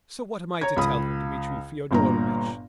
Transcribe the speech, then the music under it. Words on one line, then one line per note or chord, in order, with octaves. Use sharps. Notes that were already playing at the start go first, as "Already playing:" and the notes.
So what am I to tell her, Dmitri Fyodorovitch?
C#5 A#5 G#6
C#2 B5 D#6
G1 G2 A#2 A#5